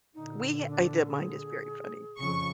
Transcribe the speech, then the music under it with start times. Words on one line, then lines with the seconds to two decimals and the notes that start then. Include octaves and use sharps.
we h I the mind is very funny.
0.14 A#2 D3 D#4
0.68 D4
1.08 G#4
2.18 F2 C#3 C#6